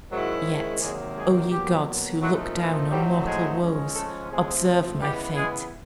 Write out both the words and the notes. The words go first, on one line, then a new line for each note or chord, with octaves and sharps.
Yet, O ye gods, who look down on mortal woes, observe my fate!
G#2 D#3 F#3 G#3 C#4 E4 F#4
C3 D#3 F#3 G#3 A#3 G#4
G#3 G#4
B2 F#3 G3 A#3 G4
A#2 F3 F#3 A3 C4 D#4 F#4
F4
A2 F#3 G3 A3 C4 D#4 G4
G#3 G#4
G#2 F3 G#3 C#4
A3 A4
C3 F3 G#3 A3 C4 G#4
C#3 E3 G3 G#3 B3 E4 G4
G#3 G#4